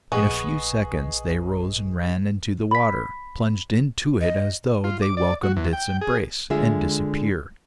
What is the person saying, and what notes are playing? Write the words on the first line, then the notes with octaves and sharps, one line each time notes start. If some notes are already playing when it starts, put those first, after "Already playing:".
In a few seconds they rose and ran into the water, plunged into it as though they welcomed its embrace, and disappeared.
A#1 B3 G#4 D#5 G#5 C#6
B5 B6
D#5
F4
D6
D5
F#4
E2
G5
G#4
D3 G#3 F4 G#4 E5